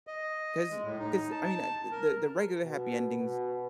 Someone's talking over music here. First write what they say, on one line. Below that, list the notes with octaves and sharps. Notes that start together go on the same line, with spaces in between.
'cause 'cause, I mean, uh, the the regular happy endings,
D#5
G#3
A2
D#4
A5
A5
A#4
B2
B2